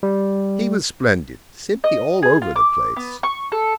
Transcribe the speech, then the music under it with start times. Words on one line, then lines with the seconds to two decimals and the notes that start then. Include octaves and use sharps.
He was splendid; simply all over the place.
0.03 G3
1.84 D#5
2.23 G#4
2.42 F4
2.56 D6
2.96 B3
3.23 C#6
3.52 A4